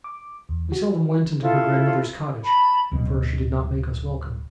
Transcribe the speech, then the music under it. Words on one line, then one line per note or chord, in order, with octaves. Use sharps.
We seldom went into her grandmother's cottage, for she did not make us welcome.
D6
E2
F#4
E4 F4 A4
A5 B5
D1 B2